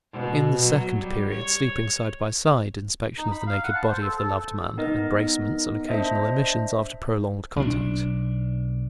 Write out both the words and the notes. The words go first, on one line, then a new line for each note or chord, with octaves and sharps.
In the second period sleeping side by side, inspection of the naked body of the loved man, embracements, and occasional emissions after prolonged contact.
B2
F#3
G3
C#5
D#4
B5
F5
F#5
A5
C5
A4
A4
B3 D#4 A#4 D#5
D4 C5 D#5 E5
B1 D4